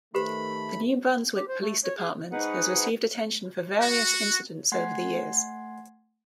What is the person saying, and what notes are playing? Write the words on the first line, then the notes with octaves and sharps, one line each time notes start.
The New Brunswick police department has received attention for various incidents over the years.
D#3 A3 G4 B4 C5 B5
G4
C5
A3
C#5
G#4
G#2 D#4 G#4 B4 F#5
F#4
A3 F#5 G#5 C6 G#6 C7